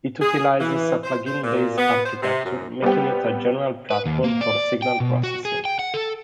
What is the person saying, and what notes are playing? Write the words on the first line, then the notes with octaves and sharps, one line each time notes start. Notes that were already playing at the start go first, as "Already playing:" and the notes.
It utilizes a plug-in based architecture making it a general platform for signal processing.
G#4
E3
C5
C5
A#2
B3
C5
C3
F#2
G3 B3 C4 G4
B4
D#2
A#3
D5
G5
B2
F#4
G#4
G5
F#5
A4